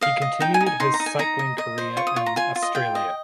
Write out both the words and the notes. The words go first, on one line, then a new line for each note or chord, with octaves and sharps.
He continued his cycling career in Australia.
D#5 F5
D#5
D#4 G5
G#5
D#4
G#5
D#4 C6
A#5
D#4
G#5
D#4 A#5
D#5
D#5
C5
F4 C#6
D#6
F4 C#6
A#5
F4 G#5
F4
D#5
F4 G5
D#5